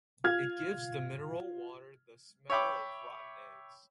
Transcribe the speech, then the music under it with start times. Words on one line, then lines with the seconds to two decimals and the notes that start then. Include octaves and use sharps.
It gives the mineral water the smell of rotten eggs.
0.24 F4 F6 G#6
2.50 C#5 E5 G5 B5 D6